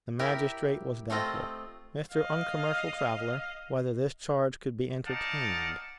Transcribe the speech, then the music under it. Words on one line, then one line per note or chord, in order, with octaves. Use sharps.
The Magistrate was doubtful, Mr. Uncommercial Traveller, whether this charge could be entertained.
E4 G4 A#4
A3 C4 F4 D#5
D#5 F5
D#4 D5 F5 F#5 A5